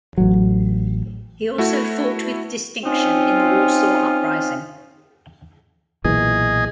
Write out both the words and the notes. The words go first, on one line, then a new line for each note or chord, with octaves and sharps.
He also fought with distinction in the Warsaw Uprising.
A1 F#3
A3 E4 F#4
C4 C#4 D#4 F4
B1 A#2 E3 G#4 D#5